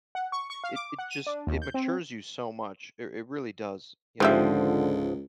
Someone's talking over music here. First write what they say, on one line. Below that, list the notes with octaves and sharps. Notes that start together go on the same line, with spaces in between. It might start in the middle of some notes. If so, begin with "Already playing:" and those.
it it just it matures you so much, it r it really does, you know,
F#5
C#6
C#6
F5
D6
F#5
D#7
D4
D#2
G6
C4
C#2 G#2 D3 F3 C4 G4 E5